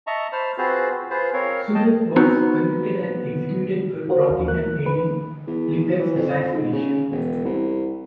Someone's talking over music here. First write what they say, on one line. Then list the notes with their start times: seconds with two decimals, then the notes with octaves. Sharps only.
Surratt was convicted and executed for plotting and aiding Lincoln's assassination.
0.07 D#5 E5 A5 A#5 C#6
0.32 C5 A5 B5 F6
0.58 C4 F4 F#4 G#4 B4 C5
1.10 F4 G#4 B4 C5
1.33 C4 A#4 C#5 F5
1.75 D#5 G5 A5
2.16 B3 C4 D#4 F#4
4.08 D#3 F4 F#4 A#4 C5
4.30 D#2 F5
4.48 A#4 F#6
4.86 B4
5.47 E2
5.99 E3
6.16 F2
6.53 G#2
6.73 C#3
7.11 E1
7.45 C2